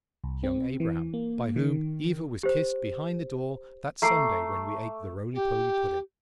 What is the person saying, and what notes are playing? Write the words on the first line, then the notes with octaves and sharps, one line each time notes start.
It was young Abraham, by whom Eva was kissed behind the door that Sunday when we ate the roly-poly pudding.
C2
C4
E3
A#3
D#3
G4 C5
A3 A#5 D6 C7
G4